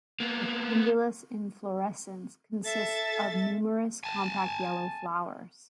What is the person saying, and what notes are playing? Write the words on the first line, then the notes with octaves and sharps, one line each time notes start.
The pendulous inflorescence consist of numerous compact yellow flowers.
A#3 B3
A4 E5 A6
G#5 A5